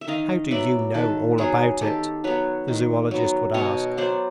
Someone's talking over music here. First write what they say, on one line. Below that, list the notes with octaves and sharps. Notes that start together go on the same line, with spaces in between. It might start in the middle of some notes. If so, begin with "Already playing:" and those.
"How do you know all about it?" the zoologist would ask.
E5
D#3 D#5 F5
F#3 B3 D5 E5
D#3 A4 B4
F#3 B3 G#4 A#4
D#3 G4 A4
F#3 B3 B4 C#5
D#3
F#3 B3
B2 C#5 D#5
F#3 B3 C5 D5